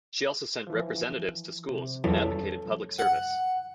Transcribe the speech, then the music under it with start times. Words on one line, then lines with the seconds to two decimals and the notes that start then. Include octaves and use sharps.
She also sent representatives to schools and advocated public service.
0.67 E3 F3
1.71 C3
2.04 E2 C#4 A4
2.98 F#5